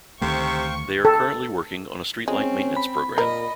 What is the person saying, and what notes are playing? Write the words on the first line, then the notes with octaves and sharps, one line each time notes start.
They are currently working on a streetlight maintenance program.
D2 C3 D#3 A3 C5 F5 G5 C#6
A4
G#3 C4 C#4
B5
A#2 A#4 D#5